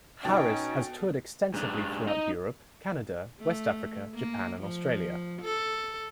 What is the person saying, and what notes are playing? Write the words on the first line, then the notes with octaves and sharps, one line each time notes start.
Harris has toured extensively throughout Europe, Canada, West Africa, Japan and Australia.
B2 C#4 D#4 A4 G5 A6
G#2 D4
D#4 D#5
A3
A#3
F3
A4